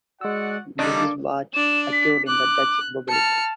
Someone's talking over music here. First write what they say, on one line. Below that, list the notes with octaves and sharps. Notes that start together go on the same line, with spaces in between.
This is what occurred in the Dutch Republic.
G#3 F#4 D5 F#5 E6
D#3 G3 A#3 D4 A4 D#5
D4 D5 E7
B6
D6 F#6
A5 F6 C#7